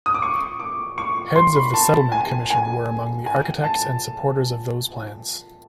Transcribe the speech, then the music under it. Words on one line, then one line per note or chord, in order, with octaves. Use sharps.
Heads of the Settlement Commission were among the architects and supporters of those plans.
D#6
D6
C#6
D6
C#6
C6
B5
A5
G#5
G#5
G#5
A5